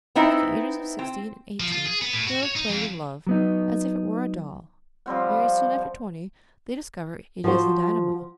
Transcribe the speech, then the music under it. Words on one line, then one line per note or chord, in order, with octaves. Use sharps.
Between the ages of sixteen and eighteen, girls play with love as if it were a doll; very soon after twenty they discover it is a dynamo.
B3 C4 D#4 E4
C4
F3
F4
G#4
B3
A2
F#4
C#5
D#4
F2
F#3 B3 D#4
F3 G3 C4 F#5
F3 F#4 C5